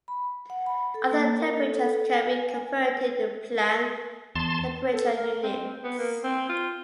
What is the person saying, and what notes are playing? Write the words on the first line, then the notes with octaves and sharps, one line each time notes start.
Other temperatures can be converted to Planck temperature units.
B5
F#5
B5
A4
A#3
A#4
A4
G#5
G#5
E2 A5 C6
A4
A#4
C4
B3
A#3
C4
F4